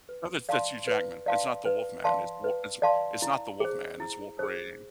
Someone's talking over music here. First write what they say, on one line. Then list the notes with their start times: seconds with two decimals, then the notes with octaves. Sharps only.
Oh, that's that's Hugh Jackman. It's not the wolf man. It's w it's it's not the wolf man. It's Wolverine.
0.09 B4
0.49 D5 F5 A5 C6
0.87 B4
1.26 D5 F5 A5 C6
1.65 B4
2.04 D5 F5 A5 C6
2.44 B4
2.82 D5 F5 A5 C6
3.22 E4
3.60 G#4 C5
4.00 E4
4.39 G#4 C5